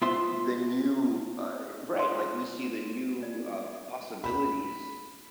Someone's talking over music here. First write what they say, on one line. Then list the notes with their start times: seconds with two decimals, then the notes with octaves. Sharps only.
the new uh, right, like, we see the new, uh, possibilities
0.02 B3 F4 C5 E5 C6
1.99 C6
2.12 F4
3.23 D5
4.24 B5